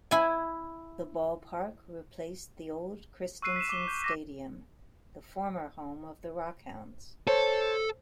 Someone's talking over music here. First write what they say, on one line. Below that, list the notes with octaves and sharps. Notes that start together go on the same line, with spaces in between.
The ballpark replaced the old Christensen Stadium, the former home of the RockHounds.
E4 G#5
C#6 E6 F#6 C7 D#7
B6 E7
D6 G7
G6
D6 A#6 B6
A4 C5 C#5